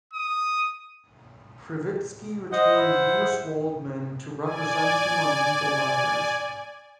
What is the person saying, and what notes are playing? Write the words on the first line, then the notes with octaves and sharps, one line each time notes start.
Krivitsky retained Louis Waldman to represent him on legal matters.
D#6
C5 D#5 F#5
E4
D5 G#5